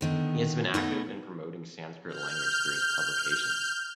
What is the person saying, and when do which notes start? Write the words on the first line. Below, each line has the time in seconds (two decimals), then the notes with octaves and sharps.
He has been active in promoting Sanskrit language through his publications.
0.01 D3 D#3 B3
0.74 A3 B3 D#4
2.08 F6 G6